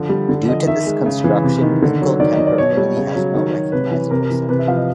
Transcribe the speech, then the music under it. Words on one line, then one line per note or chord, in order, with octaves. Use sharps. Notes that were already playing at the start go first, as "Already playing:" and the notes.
Due to this construction, Winkel temporarily has no recognizable center.
Already playing: D3 F3 E5
G3
D3
F3 D#5
D#3 E5
G#3
C#3
E3
C3
D#3
D3
F#3
D#3 D5
F#3 D#5
D5
B2 C#5
G3
C#3
F#3
D#3
F#3
C3 B4
E3
C3 A#4
E3
C3 B4
E5
F3 F5
D#5